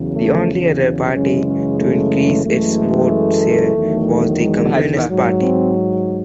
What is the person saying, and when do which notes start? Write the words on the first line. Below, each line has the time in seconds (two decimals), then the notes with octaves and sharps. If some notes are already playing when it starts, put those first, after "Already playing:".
The only other party to increase its vote share was the Communist Party.
Already playing: E2 C#3 F#3
0.15 A3
1.12 F#2 C#3 E3 G#3 C#4
1.46 C#4
1.79 A3
2.44 F#2 E3 G#3 A3
3.75 E2 D#3 F#3
4.41 G#3
5.07 G#2 F#3
5.40 C4